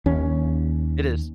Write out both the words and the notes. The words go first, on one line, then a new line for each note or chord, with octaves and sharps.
It is.
D#2 C#4